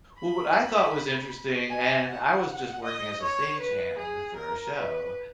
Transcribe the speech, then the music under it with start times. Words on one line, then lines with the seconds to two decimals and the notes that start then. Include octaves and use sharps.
well, what I thought was interesting and I was just working as a stagehand for a show,
0.18 B5
1.70 G#5
2.08 F#5
2.84 D#5
3.22 C#5
3.60 B4
3.98 G#4
4.36 A#4
4.74 B4